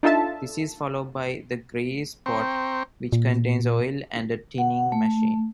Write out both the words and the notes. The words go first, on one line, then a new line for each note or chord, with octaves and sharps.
This is followed by the grease pot, which contains oil and a "tinning machine".
D4 D#4 F4 A4 E5 A5
C4 C5 G5 A#5 C#6
A#2
F#5
A3